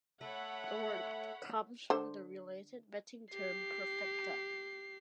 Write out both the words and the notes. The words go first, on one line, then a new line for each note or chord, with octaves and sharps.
The word comes from the related betting term, perfecta.
A3 A4 C#5 E5 F#5 B5
D3 C5
G4 C7